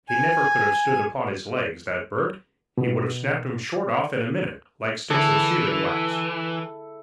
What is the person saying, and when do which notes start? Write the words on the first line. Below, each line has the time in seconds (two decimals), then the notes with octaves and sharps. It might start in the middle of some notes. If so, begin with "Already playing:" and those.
He never could have stood upon his legs, that bird. He would have snapped 'em short off in a minute, like sticks of sealing-wax.
0.09 G#5
2.78 B2
5.10 D3 E3 E4 A4